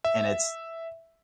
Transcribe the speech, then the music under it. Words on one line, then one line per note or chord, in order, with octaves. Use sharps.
And it's
E5